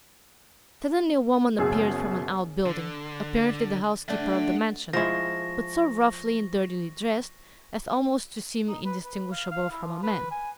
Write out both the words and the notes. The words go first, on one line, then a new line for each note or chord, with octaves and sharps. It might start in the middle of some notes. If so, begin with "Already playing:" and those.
Suddenly a woman appeared from an outbuilding--apparently the housekeeper of the mansion, but so roughly and dirtily dressed as almost to seem indistinguishable from a man.
F#1 F#2 B2 G#4 E6
D3
A3 D4 F#5 A5
F3 G#3 E4 C#6 A#6
D#4
B4
B4
F5
F5
E4
F3
B4
G#5